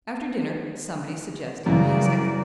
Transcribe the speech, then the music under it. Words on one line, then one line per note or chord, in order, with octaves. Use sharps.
After dinner somebody suggested music.
F#2 C#3 E3 G3 D5